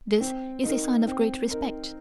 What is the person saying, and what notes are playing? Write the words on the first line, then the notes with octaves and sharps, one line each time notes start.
This is a sign of great respect.
C4
D#4 A#4
C4
D#4 A#4